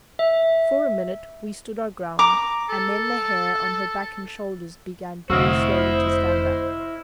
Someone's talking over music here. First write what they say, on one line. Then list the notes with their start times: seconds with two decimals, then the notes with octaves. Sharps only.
For a minute we stood our ground, and then the hair on her back and shoulders began very slowly to stand up.
0.19 E5
2.19 A#5 D6
2.69 A4
5.30 F1 D3 E4 F#4 C5 D#5 F5 E6